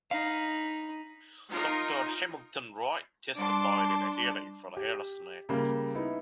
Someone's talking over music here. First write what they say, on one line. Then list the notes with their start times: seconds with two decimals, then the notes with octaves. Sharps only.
Doctor Hamilton Wright, testified at a hearing for the Harrison Act.
0.11 D#4 F5 B5
1.51 D#4 F4 A#4 A#5
3.37 G3 D4 A5 C6 D6
4.77 G4
5.49 C#3 G3 A#3 F4 A#4
5.95 B3 D#4 E4